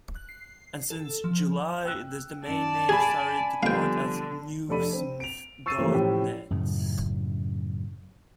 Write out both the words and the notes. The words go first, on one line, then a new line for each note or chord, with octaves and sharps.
And since July, this domain name started to point at newsmth dot net.
F#6
C7
A4
F3
G5 E6 F#6
F#2 D5 A5
G#4 G#5 B5
D3 F3 G3 B3 F5 G5
F1 D4 A4 D5 B5 D#7
C4
D7 F7
C#6 E6 A6 C7 D#7
E3 F3 G3 A3 A#3 C#4
A2 F3 C#4 G4
F#2 A2 C#3